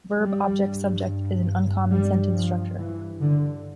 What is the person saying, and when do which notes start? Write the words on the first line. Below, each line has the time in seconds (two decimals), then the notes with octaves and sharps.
Verb-object-subject is an uncommon sentence structure.
0.15 G2 G3
1.90 G3
2.34 F3
2.77 E3
3.21 D3